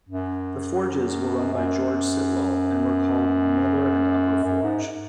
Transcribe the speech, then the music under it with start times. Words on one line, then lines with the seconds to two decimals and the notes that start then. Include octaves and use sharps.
The forges were run by George Sitwell, and were called Nether and Upper forge.
0.09 F#2
1.54 F#2
4.44 F#2
4.62 G#2